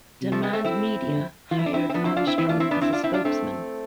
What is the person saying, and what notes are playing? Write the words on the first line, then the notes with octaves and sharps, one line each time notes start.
Demand Media hired Armstrong as a spokesman.
C3
F3 A3
G#3 B3
A3 C4
C4 E4
D3
E3 F4
E4
D4
C4 E4
C4
F3 B3 D4
C4 E4
D4 F4
C4 E4
E3 C4 E4
D4 F4
C4 E4
B3 D4
C4 E4
D4 F4
C4 E4
D4 F4
A3 C4